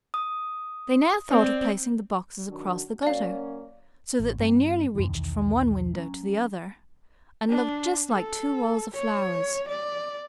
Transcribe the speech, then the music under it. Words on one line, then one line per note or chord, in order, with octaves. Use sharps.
They now thought of placing the boxes across the gutter, so that they nearly reached from one window to the other, and looked just like two walls of flowers.
D#6
C4 D5
D#3 F#3 D4
F#3 A#3 C#4 D5 F5
A1
G2 G3 C4
F#2 C3 E3
B1 E2 D#3
F#3 C#4
D4
A4
C#5
D5